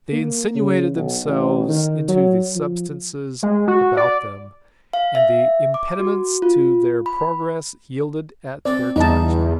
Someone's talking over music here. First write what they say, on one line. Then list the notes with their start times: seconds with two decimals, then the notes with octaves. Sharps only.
They insinuated themselves into the substances about them, and the impediments to their progress yielded at their touch.
0.12 A#3
0.55 C#3
0.94 B1
1.25 A1
1.68 D#3
2.08 F#3
2.55 F3
3.43 G#3
3.68 F#4
3.97 D5
4.93 F5
5.15 E5
5.74 D6
6.00 F#4
6.42 F4
7.06 B5
8.65 C4 A4 D5
8.96 E2 D3 G3 D#4 E4 D#5 A5